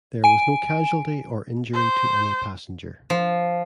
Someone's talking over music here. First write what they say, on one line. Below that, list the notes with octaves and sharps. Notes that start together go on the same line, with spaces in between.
There was no casualty or injury to any passenger.
G#5 D7
C5
F3